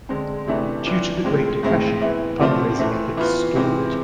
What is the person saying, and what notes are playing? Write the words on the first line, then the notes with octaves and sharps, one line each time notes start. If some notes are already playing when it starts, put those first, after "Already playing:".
Due to the Great Depression fund-raising efforts stalled.
D3 G#3 C4
C3 E3 A3 D4
E3 B3 D4 F4
A2 G#3 C4 F4
A2 G#3 C4 E4
E3 B3 E4
C3 F3 A3 C4 F4
E3 A3 C4
E3 B3 F4
C3 E3 G#3 C4